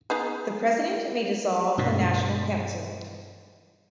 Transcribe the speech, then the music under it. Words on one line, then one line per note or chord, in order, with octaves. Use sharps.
The president may dissolve the National Council.
B3 D#4 G#4
G2 B2